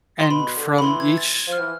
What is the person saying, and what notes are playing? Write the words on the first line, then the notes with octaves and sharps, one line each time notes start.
and from each
C6
B2 B5
D3
D3 B5
E3 C6
G#6
G#6
A6
G#6
F3 F6
E3